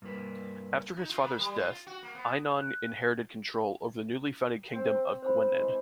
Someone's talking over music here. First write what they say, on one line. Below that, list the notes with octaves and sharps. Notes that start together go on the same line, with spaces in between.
After his father's death, Einion inherited control over the newly founded kingdom of Gwynedd.
G2 A#3 B4
D#4
F4
A#3
G3
F4
F#4
A#3
B3
F#6
C4 C5
C4 C5 B5
E3 G#3